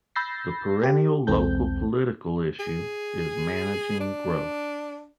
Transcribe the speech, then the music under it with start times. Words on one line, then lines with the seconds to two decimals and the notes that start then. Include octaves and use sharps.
The perennial local political issue is managing growth.
0.16 B5 E6 G6 A6 A#6 C7
0.83 G4
1.27 B1 E2 G#3 C4 A4 G6
2.60 G#4
4.00 D4